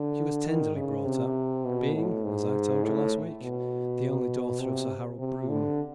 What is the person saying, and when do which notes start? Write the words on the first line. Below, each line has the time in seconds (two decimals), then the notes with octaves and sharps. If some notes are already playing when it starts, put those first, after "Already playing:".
She was tenderly brought up, being, as I told you last week, the only daughter of Sir Harold Broome.
Already playing: D3
0.47 D#3
0.76 C#3
1.05 C3
1.65 B2
1.94 A2
2.24 G#2
2.83 A2
3.42 B2
4.60 C3
5.19 C3
5.49 D3